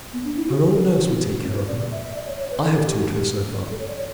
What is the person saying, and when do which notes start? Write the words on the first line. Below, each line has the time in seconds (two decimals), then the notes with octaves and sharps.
Her old nurse will take care of her, I have taught her, so far.
0.13 B3
0.24 D4
0.36 E4
0.49 F#4
0.58 G4
0.75 A4
0.84 G4
0.96 F#4
1.08 E4
1.20 G4
1.31 F#4
1.44 C#4
1.56 B4
1.67 D5
1.92 E5
2.03 E5
2.15 D5
2.27 C#5
2.39 C#5
2.51 B4
2.63 A4
2.75 A4
2.87 G4
2.98 F#4
3.08 G4
3.71 A4
3.79 C#5
3.88 D5
3.97 C#5